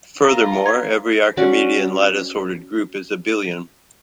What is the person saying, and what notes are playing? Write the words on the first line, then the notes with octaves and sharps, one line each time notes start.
Furthermore, every archimedean lattice-ordered group is abelian.
F4 A#4
G#6
C#4 F#4 D5